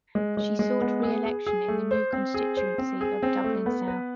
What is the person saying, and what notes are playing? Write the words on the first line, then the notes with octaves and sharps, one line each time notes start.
She sought re-election in the new constituency of Dublin South.
G#3
G#3
G#3
B3
G#4
G#4
G#4
A3
C5
C4
G#4
C5
C4
G#4
C4
A3
B3
B4